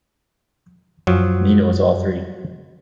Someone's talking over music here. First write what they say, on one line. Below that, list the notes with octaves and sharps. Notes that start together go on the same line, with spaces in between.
Nino is all three.
F#2 F3 F#3